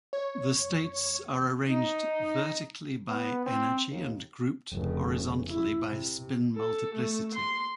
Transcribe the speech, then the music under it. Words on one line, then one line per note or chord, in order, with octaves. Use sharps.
The states are arranged vertically by energy and grouped horizontally by spin multiplicity.
C#5
D#4
B3
C4
D#2
F1 C#3
E4
C3
A4
A3
C6